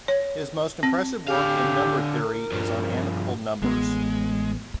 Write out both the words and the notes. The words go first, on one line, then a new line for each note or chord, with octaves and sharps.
His most impressive work in number theory is on amicable numbers.
C#5
C4
D3 G4 F5
A#4
G2 F3
A1 G#3 B3